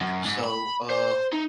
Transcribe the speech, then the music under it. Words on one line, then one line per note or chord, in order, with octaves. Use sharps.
So, uh,
F#2
G#2
B5
C5
D#4